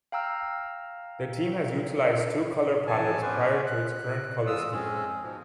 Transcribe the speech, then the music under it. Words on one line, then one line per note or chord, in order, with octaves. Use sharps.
The team has utilized two color palettes prior to its current color scheme.
F5 G5 A#5 E6 F6
F2 E3 F#3 G#5 A5
B3 C#4 B4 C5 D5 C#6
F#6
E2 G#3 F4 D#6 E6
G#3 C4 C#4 G#4
G#2 B2 F3